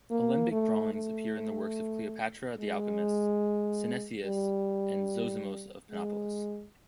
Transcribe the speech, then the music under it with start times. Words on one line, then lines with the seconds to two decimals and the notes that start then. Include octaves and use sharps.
Alembic drawings appear in works of Cleopatra the Alchemist, Synesius, and Zosimos of Panopolis.
0.11 A#3
0.52 A3
0.94 A3
2.59 G#3
4.26 G3
5.92 G#3